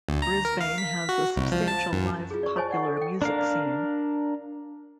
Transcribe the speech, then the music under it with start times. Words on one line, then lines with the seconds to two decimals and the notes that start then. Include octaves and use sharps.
Brisbane has a substantial live popular music scene.
0.09 D2
0.22 A#5
0.45 A#4
0.61 F5
0.78 B6
1.09 F#4
1.36 C2
1.52 F3
1.68 A5
1.93 F#2
2.31 F4 G#4
2.43 D5 C#6
2.56 F4 C5 C#5 D#5 G#5 A5
2.71 D5 F#5 C#6
2.83 A4 D#5
2.97 A4 G5
3.22 D4 A#4 F5